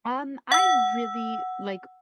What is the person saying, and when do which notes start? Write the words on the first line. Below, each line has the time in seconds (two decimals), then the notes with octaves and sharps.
Um, I really, like
0.52 F#5 E6